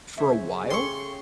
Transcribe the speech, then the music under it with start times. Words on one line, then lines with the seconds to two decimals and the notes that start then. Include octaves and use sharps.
for a while
0.18 C#3 C5 C#5 E5
0.71 G4 A4 C#5 C6 C#6